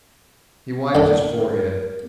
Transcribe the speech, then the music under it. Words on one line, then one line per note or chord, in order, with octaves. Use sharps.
He wiped his forehead.
D3 D4 A#4